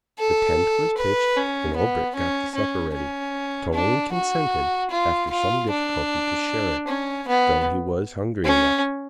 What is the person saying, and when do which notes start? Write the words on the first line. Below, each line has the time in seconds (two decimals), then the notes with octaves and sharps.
The tent was pitched, and Olbinett got the supper ready. Toline consented, after some difficulty, to share it, though he was hungry enough.
0.19 A4
0.98 B4
1.36 C#4
1.77 B3
2.16 C#4
2.55 C#4
2.94 C#4
3.73 D4
4.12 F#4
4.91 F4
5.30 F4
5.70 D4
6.88 C#4
7.28 B3
8.45 C#4